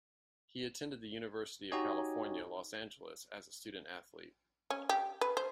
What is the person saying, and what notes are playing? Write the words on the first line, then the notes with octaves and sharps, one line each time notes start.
He attended the University of California, Los Angeles as a student athlete.
D#4 F#4 G4 C#5 D#5 G#5
C#4
G4
B4
C5